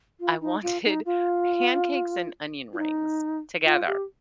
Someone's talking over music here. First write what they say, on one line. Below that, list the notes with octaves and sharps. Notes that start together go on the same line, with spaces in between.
I wanted pancakes and onion rings together.
F4
D#4
F4
D#4
F4
F4
D#4
F4
G4